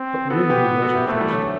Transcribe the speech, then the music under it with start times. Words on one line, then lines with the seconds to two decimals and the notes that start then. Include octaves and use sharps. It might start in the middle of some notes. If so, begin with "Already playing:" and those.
But Wimley wasn't thirsty.
Already playing: C4
0.30 B3 F#4 A4
0.50 G4 B4
0.82 F#4 A4
0.95 E4 G4
1.07 A3 C4 E4
1.20 E3 G3
1.33 D3 F#3